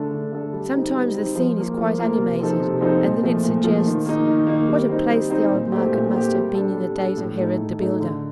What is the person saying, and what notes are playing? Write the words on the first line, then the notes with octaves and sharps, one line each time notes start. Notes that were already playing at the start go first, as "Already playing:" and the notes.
Sometimes the scene is quite animated, and then it suggests, What a place the old market must have been in the days of Herod the Builder!
Already playing: D3 A3 D4 A4
D3
A3 D4 A4
G3
C4 D#4
G3
C4 D#4
F3
A#3 F4 A#4
F3
A#3 F4 A#4
C3
F3 C4 D#4 A4
C3
F3 C4 D#4 A4
A#2
F3 A3
A#2
F3 A3
D#3
A#3 D#4
D#3
A#3 D#4
G3
C4 D#4
G3
C4 D#4
A#2
A3 C4 G4
A#2
A3 C4 G4
G3
D4 A4
G3
D4 A4
A2
A3 D#4 A4
A2
A3 D#4 A4
D3